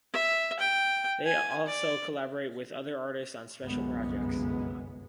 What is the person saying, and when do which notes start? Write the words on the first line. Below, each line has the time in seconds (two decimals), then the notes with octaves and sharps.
They also collaborate with other artists on special projects.
0.13 E5
0.60 G5
1.25 G#5
1.67 D5
3.63 G1 C2 F#2 G#3 B3